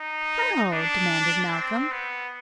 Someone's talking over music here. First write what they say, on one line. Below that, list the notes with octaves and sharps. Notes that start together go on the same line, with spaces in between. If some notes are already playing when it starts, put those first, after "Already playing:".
"How?" demanded Malcolm.
Already playing: D#4
D4
C4
B3